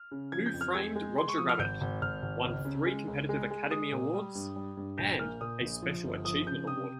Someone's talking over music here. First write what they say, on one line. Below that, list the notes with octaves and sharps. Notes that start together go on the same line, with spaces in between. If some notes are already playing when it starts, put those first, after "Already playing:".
"Who Framed Roger Rabbit" won three competitive Academy Awards and a Special Achievement Award.
Already playing: F6
C#3
F3 G#6
G6
F2
F6
G#3 G#6
G#3
G#3 C6
C#6
F3 D#6
F6
G#1 G6
G#1
G#1 F6
G#1
C#2
C#3
G#3
C#2
G#3
G#3
G#3 D#6
A#2
G3
G2
G3
G2
A#1 G6
A#2 F6
A#2 D#6
A#1
F3
G1
F3 D#6
C#3 G6
C3 D#6